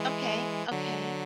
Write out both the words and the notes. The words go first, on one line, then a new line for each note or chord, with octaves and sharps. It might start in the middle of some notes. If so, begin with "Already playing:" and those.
Okay, okay.
Already playing: E3 G#3
D3 F#3